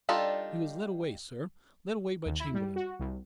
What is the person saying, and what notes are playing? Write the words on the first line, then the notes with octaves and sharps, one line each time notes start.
He was led away, sir, led away by Chamberlayne.
G3 D4 D#4 F4 A4
D#2
E4
G3
F#4
C2